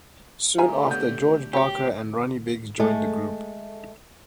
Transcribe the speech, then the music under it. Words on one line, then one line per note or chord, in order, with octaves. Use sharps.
Soon after George Barker and Ronnie Biggs joined the group.
D3 A3 G4 E5 F5 G#5 A#5
C#3 B3 G6
F#3 G4 C#5
G#3 A3